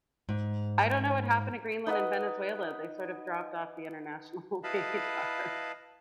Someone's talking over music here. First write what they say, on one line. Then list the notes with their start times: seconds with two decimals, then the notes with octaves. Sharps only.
I don't know what happened to Greenland and Venezuela, they sort of dropped off the international radar.
0.29 G#2
1.87 D#4 B4 D#5 F#5
4.64 E4 B4 D#5 F5 A5 B5